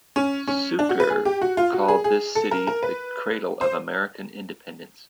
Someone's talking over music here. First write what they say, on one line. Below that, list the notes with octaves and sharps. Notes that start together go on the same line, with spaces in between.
Sucre called this city the cradle of American Independence.
C#4
C#4
D4
F#4
B4
G#4
G4
F#4
F4
F#4
G#4
G#4
A4
A#4
A#4
B4
C5